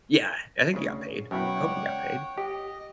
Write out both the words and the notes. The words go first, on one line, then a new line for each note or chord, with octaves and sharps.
Yeah! I think he got paid. I hope he got paid.
D2 C#3
F#2 B2 E4 C#5 F#5 G5
C#2 D5
G4 D#5